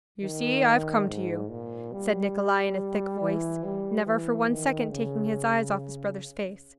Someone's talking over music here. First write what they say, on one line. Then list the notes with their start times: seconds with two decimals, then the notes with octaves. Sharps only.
"You see, I've come to you," said Nikolay in a thick voice, never for one second taking his eyes off his brother's face.
0.22 D#3
1.07 G#2
1.50 A#2
1.93 G3
3.21 E3
3.64 G3
4.06 E3
4.50 D#3
4.92 C#3